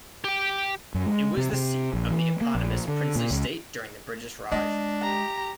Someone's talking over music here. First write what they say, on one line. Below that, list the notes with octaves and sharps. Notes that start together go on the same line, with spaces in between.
It was the seat of the eponymous princely state during the British Raj.
G4 G5
F#2
G#3
C3
C3
A#1
E3
A#3
A#1
D3
A#2
C#2
G#3 D4 D#5
G4 A#5